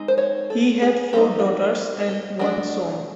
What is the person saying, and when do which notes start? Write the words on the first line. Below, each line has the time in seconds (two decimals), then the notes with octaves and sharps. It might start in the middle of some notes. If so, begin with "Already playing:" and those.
He had four daughters and one son.
Already playing: G#3 C4 D#4
0.08 C5
0.18 C#5
0.50 A4
0.82 G#4
1.13 G3 C4 D#4 G4
1.40 F4
1.45 F#4
2.08 G4
2.39 F#3 A3 D4